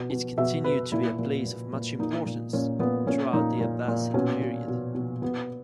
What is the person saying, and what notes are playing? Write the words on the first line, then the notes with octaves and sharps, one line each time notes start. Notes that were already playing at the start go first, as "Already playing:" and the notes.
It continued to be a place of much importance throughout the Abbasid period.
Already playing: B2
B2
B2 E5
B2 B4
A#2 E4
A#2
A#2
A#2
A#2 D#4
A#2
A#2 C#4
A#2 B3
A#2 C#4
A#2 D#4
A#2
A#2
B2 C#4
B2
B2
B2
B2 B3